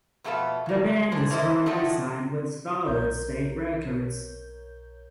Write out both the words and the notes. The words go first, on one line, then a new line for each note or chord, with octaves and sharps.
The band is currently signed with Solid State Records.
F2 B2 A3 A4 B4 F5
C#3 A#3
A2 D3 D4 G#4 C5
A#3 E4 A4 C5 D#5
D#3 F3 F#3 A3 D4 D#4
B1 A#4 C#5 G6